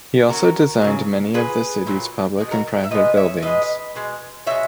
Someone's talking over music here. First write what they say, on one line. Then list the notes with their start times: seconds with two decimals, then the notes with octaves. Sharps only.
He also designed many of the city's public and private buildings.
0.30 C#3 F#3 F#4 A#4
0.82 C#3 F#3
1.34 A#2 F#3 G#4 B4
1.87 A#2 F#3
2.38 B2 G#3
2.51 F#4 A#4
2.84 E5
2.91 B2 G#3 B4 D#5
3.17 C#5 E5
3.42 B2 G#3 B4 D#5
3.95 B2 G#3
4.46 B2 G#3 C#5 E5